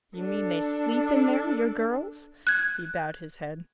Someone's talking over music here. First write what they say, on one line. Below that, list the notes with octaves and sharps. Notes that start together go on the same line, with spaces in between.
"You mean they sleep in there,--your girls?" He bowed his head.
D4 A4
F#6 G#6